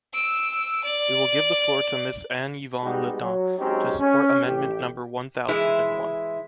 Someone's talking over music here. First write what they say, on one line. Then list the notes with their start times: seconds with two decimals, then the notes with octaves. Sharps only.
We will give the floor to Mrs Anne-Yvonne Le Dain, to support amendment number one thousand and one.
0.13 E6 D7
0.84 D5
2.83 G3 G#3 B3 D#4 F#4 G4
3.21 F#3
3.59 F#3 G#3 C4 C#4 D#4 G4
3.99 C#4
4.46 A1 G4
5.48 E3 G#3 E4